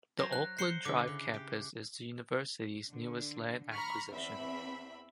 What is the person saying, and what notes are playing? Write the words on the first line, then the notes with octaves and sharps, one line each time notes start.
The Oakland Drive Campus is the university's newest land acquisition.
F#3 C5 C#5 A#6
F#6
C5 C7 C#7 G7
D3 E4 D6
C#3
G4
D3
A#5 B5 C#6 F6
E2 C4 E5 B5